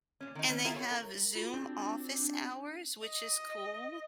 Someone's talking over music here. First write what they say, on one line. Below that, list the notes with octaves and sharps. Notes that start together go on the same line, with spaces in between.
And they have Zoom office hours, which is cool.
A#2 C#4
D#3 D#4
D#3 C4 C#4
E4 F4 G#4 A#4
C#5
A#4
F4 F#4 G#4
C4 D4
D#5